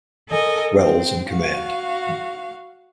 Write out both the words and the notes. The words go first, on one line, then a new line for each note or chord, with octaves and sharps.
Wells in command.
A4 A#4 D#5 G#5
C4
F#4 F5